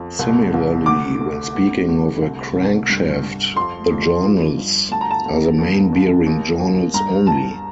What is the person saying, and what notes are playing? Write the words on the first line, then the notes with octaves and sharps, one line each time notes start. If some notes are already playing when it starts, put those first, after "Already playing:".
Similarly, when speaking of a crankshaft, the "journals" are the main bearing journals only.
Already playing: F2
C2
C2
D2 D6
D2
D2
D2
C2
C2
G2
G2
F2 C6
F2
F3
G2
D2 A5
A#5
A5
D2
D#2
D#2
D#2
D#2
G2 A#5
G2 A5